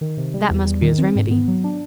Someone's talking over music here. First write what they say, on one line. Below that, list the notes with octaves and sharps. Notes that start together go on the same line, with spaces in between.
That must be his remedy.
D#3
C3
G3
E2
G3
D#3
C4
G#2
B3
F#3
D4